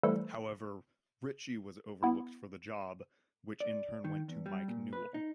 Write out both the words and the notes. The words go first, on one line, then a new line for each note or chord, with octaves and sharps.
However Ritchie was overlooked for the job which in turn went to Mike Newell.
E3 G3 A3 E4 A4 C5
B3 E4
D5
D#3
E2
G3
A#2
B4
D#4